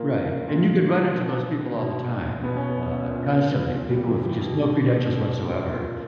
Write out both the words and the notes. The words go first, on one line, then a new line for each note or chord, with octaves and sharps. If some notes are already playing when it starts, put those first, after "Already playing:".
Right, and you could run into those people all the time, uh, constantly, people with just no credentials whatsoever,
Already playing: A#2 A#3
A#2
B2
B2
B2 B3
C#4
B3
A#2
A#2
G3
E3
G3
B2
B2
A#2